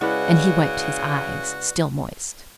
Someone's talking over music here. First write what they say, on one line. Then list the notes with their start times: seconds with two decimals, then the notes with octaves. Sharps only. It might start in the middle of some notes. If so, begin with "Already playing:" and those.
And he wiped his eyes, still moist.
0.01 C#3 G#3 C#4 E4 F#4 B4 D5 F#5